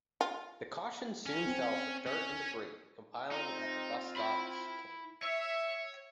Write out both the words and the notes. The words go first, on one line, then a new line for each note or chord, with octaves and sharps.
The caution soon fell for dirt and debris compiling at the bus stop chicane.
F4
C#4
C4
C#4
C4 D#4 F4
E4 B5
C#5 E5